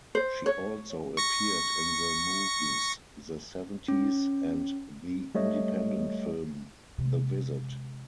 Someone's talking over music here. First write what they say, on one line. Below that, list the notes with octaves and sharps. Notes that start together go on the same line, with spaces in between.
She also appeared in the movies "The Seventies" and the independent film "The Visit".
C5
C#5
C#6 A#6 C#7
C#4
G3 A3 C#5 D#5
C3 G#3